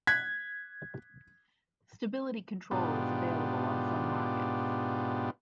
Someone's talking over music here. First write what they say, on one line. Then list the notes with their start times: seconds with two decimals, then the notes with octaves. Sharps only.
Stability control is available on some markets.
0.07 F#6 G#6 B6
2.71 G#2 B2 B3 D4 F4 G4